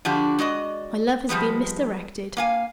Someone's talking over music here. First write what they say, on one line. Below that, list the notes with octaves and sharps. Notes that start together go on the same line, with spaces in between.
My love has been misdirected.
D3 F3 D4 F#4 G4
G#3 F#4 D5 D#5
F3 G3 G#3 B3
A#3 F5 G#5